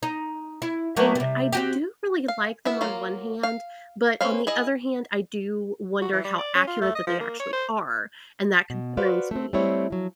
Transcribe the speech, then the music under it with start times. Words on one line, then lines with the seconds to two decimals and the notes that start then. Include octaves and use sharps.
and I do, really, like them on one hand, but on the other hand, I do wonder how accurate that they actually are, and that concerns me.
0.03 D#4
0.62 E4
0.97 F#3 A3 A#3
1.15 C3 G3
1.53 C4 F#4 G4
2.28 F5
2.65 B3 E4 E5
2.81 F#3 A#3 F4 A#4
3.43 F5
4.21 C4 C#4 B4 F5
4.47 E4 G#4 D#5
6.02 F#4
6.13 E3
6.25 G3
6.39 D5
6.55 C#4
6.68 F4
6.82 A3
6.95 D#5
7.07 F3
7.20 A#3
7.40 C#5
7.53 C5
8.70 B2
8.97 F#4 B4 C5 D5 F5
9.31 A3 C4
9.53 G3 A3 C4 E4 C#5
9.90 F3 F#3